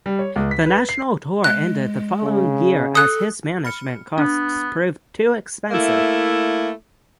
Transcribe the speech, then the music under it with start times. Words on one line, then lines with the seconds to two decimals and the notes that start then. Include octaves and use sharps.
The national tour ended the following year as his management costs proved too expensive.
0.06 G3
0.19 C#5
0.36 C#2
0.51 B6
0.66 B4
0.89 C7
1.44 G#3 F#6
2.23 C#3
2.95 A4 D#6 F#6
3.65 B5 F6 C#7
4.18 B3 D4
5.71 A3 A#3 E4